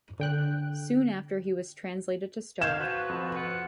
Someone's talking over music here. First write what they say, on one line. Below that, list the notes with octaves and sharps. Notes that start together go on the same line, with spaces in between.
Soon after he was translated to Stoer.
D3 G5 F#6
F5 G6 G#6 E7
F3 B3 F#4 B4
F2
F4 B4 F#5